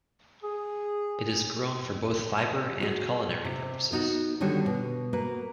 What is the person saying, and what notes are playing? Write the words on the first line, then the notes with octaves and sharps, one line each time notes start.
It is grown for both fiber and culinary purposes.
G#4
F#4 G#4
C3
B3 D#4 F#4
D3 D#3 G3 F#4 C#5
B2
A#3 F#4 B4